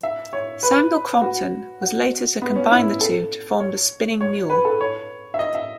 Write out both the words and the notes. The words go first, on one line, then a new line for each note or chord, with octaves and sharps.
Samuel Crompton was later to combine the two to form the spinning mule.
E5
C#5
B4
F#4
F#4
B3
C#4
E4
A4
C#5
C#5
B4
A4
C#5
E5
D#5
E5